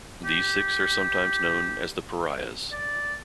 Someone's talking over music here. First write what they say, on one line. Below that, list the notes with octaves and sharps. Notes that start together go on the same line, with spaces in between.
These six are sometimes known as the pariahs.
G4
D5